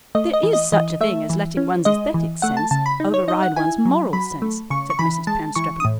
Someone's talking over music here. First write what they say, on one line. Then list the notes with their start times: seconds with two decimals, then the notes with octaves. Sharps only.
"There is such a thing as letting one's aesthetic sense override one's moral sense," said Mrs. Panstreppon.
0.15 A3 D#5
0.33 D#5
0.43 E3
0.53 D#5
0.72 E3 D#5
1.01 A3 E5
1.30 E3
1.57 C#4
1.85 G#3 D#5
2.14 E3
2.42 A3 F#5
2.57 A5
2.71 C#3 A5
2.86 B5
3.00 D#4
3.14 C#5
3.28 D#4 D#5
3.43 F#5
3.56 E4 G#5
3.85 F#3
4.13 F#3 B5
4.42 A3
4.70 C#3 C#6
4.90 C#6
4.99 E3 B5
5.27 G#3 A5
5.56 E3 C#6
5.80 D#6
5.85 A2